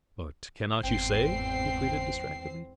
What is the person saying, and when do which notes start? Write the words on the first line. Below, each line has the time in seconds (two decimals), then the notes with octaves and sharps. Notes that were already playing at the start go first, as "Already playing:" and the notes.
"But cannot you say?" he pleaded, distractedly.
0.83 G1 E2 G#2 C4 G5 C7